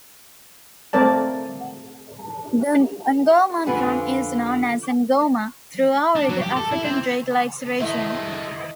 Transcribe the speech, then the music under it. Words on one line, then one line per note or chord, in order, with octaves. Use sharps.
The ngoma drum is known as "engoma" throughout the African Great Lakes region.
A3 C4 A#4 D5 A5
F2 D3 F4 B4 F#5 G#5
D4
F#3
G4
A4
E4
C4
D#3 A3 E4 A4 D#5